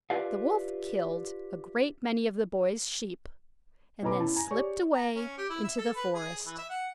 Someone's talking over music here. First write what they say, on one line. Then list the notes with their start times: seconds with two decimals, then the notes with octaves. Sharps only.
The Wolf killed a great many of the Boy's sheep and then slipped away into the forest.
0.10 F4 G4 B4 D5 E5 F5
4.02 B1 C#4 B4 A#5 B5 D6
4.20 E4 A5
4.36 G#5 A#5
4.51 G4 G#4 C#5 D5 C#6
4.94 A#5
5.14 C#4
5.38 G4
5.49 E4
5.64 E5
5.78 A4
5.95 B4
6.14 G#4
6.46 E3
6.58 E5
6.69 F#5